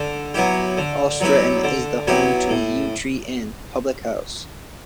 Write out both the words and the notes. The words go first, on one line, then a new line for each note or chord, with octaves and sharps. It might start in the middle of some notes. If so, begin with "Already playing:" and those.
All Stretton is the home to the "Yew Tree Inn" public house.
Already playing: D3
F#3 B3 E4 G4
D3
F#3 B3 E4 G4
D3
F#3 B3 E4 G4
A2